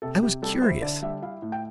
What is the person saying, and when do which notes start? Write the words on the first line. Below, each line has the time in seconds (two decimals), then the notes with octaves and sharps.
I was curious.
0.02 C3 A4
0.23 C3 G4
0.42 G3 A4
0.62 E4 C5
0.82 D3 D5
1.02 G3 E5
1.22 E4 F5
1.42 A2
1.52 G5